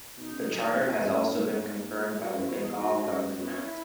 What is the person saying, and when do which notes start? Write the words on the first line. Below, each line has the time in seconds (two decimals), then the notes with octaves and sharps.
The charter has also been confirmed by the Bengal Government Act.
0.17 B2 D#4
0.31 C#3
0.46 F#3
0.61 E3
0.75 F#2 E4
0.84 F#4
0.90 E2
0.96 G#3
1.04 F#2 A#3
1.13 G#3
1.19 A#3
1.33 G#2 B3
1.47 C#4
1.61 B3
1.77 A#3
1.90 A#2 A#3
2.05 D#4
2.10 E4
2.19 F#4
2.34 F#2
2.39 E4
2.48 E2 F#4
2.62 E2 G#4
2.77 G#2 F#4
2.91 G#2
3.06 F#2
3.34 F#4
3.42 B3
3.49 C#4
3.63 E4